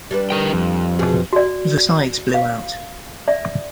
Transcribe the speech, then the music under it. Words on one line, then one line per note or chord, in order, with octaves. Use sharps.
The sides blew out.
G3 D4 B4
D3 A#4 G5
F2
B2 F#4 G#4
F#4 D5
F5
D5 E5